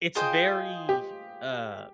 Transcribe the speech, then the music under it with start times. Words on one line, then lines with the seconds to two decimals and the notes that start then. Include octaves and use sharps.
It's very, uh,
0.15 F4 G#4 C5 D#5 G5
0.89 G4